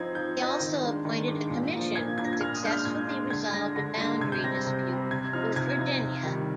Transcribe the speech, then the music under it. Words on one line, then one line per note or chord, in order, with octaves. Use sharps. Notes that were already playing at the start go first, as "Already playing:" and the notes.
He also appointed a commission that successfully resolved a boundary dispute with Virginia.
Already playing: F3 C4 D#4 G#6
F3 G6
C4 D#4
D#3
G#3 D4
D#3
G#3 D4
A#2
F3 A#3 D4
A#2 G#6
F3 A#3 D4 G#6
A#6
G#6
A#2 F6
D#6
G#3 D4 G6
F6
A#2 G#6
G#3 D4
D3 G#6
G#3 D4 A#6
D3 A#6
G#3 D4
C3 G#6
G6
G3 C4 A#6
A#6
C3
G3 C4
C3 G#6
F3 C4 D#4 F6
C3 G#6
F3 C4 D#4
C3
D#3 G3